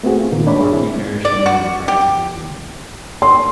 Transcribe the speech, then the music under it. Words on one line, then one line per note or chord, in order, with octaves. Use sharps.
Malarkey parachuted into France with his unit.
A3 B3 C4 F#4 G#4
F4
A#2 D#3 A#3
D4 C#5 D5 B5
G#4
C4 E4
D5
F#4
G4
C6